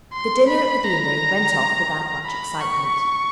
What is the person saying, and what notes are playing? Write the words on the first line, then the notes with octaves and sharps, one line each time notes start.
The dinner at the deanery went off without much excitement.
C6
B5
A#5
B5
C#6